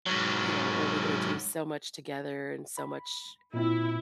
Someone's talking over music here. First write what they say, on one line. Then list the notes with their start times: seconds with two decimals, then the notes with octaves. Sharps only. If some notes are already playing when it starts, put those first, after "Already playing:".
you know, or we're gonna do so much together, and so much
0.06 G#2 F#3
2.77 B5
3.54 A#2 C4 E4